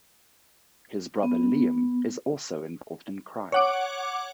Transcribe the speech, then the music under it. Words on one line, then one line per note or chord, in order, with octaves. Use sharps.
His brother Liam is also involved in crime.
B3
C#5 F#5 D6